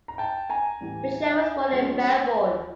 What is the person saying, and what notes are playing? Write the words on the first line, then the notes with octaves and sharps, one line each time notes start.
Mitchell was born in Melbourne.
A#5
G5 A5
G#5 A#5
A2 E3 G3
F3 G#3 C#4